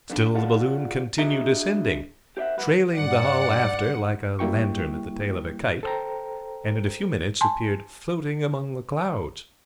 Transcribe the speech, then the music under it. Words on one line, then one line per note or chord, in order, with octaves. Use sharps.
Still the balloon continued ascending, trailing the hull after like a lantern at the tail of a kite, and in a few minutes appeared floating among the clouds.
D3 F3 G3 G#3 D4 A4
F4 G#4 D5 F5 F#5 A5
D4 F#4 G#4 D#5 E5 A#5
G4 C5 D5 E5 F#5
C#2 F#2 B4 F#5
G2 D5 F#5
G3 A#3 E4 G5 C#6
A4 C5 G5 A#5
G#5 A5 C6